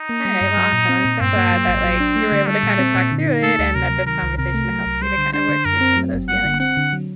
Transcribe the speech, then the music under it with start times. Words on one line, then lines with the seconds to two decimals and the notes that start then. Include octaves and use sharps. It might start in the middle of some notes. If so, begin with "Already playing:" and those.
Alright, well, awesome. I'm so glad that, like, you were able to kind of talk through it, and that this conversation helped you to kinda work through some of those feelings.
Already playing: D#4
0.09 A#3
0.25 G3
0.41 G2
0.57 F#3
0.73 A#2
0.89 C4
1.05 A#2
1.20 G2 C4
1.36 A#3
1.52 F#3
1.68 A1
1.84 F#3
2.00 D4
2.16 A3
2.32 D3
2.47 G3 A3
2.63 A#2
2.79 C4
2.95 A#2
3.12 D3
3.27 D#4
3.42 A3 A4
3.59 D2
3.75 C3 A#4
3.90 F#3
4.06 D#3 A#4
4.22 C2
4.38 C3 A#4
4.54 A3
4.70 F#3
4.86 C2
5.01 G3 C5
5.18 D3
5.34 D4 C5
5.49 D3
5.65 F#2 A#4
5.81 C4
5.97 F#3
6.13 G1
6.29 G3 F#5
6.45 D3
6.60 C4 F#5
6.77 D3
6.93 F#3